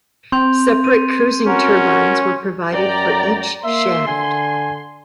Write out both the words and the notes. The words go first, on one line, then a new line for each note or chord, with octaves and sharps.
Separate cruising turbines were provided for each shaft.
C4 C6 G6 F7
D#7
C#4 F#4 A#4
F#2 D5 G5 A#5
A#3 E5 C6
D3 G#5